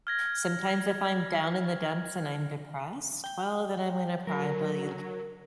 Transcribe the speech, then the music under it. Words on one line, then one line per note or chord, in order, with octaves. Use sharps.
Sometimes if I'm down in the dumps and I'm depressed, well, then I'm gonna probably
F6 G#6 A#6
G5
F#3 A#4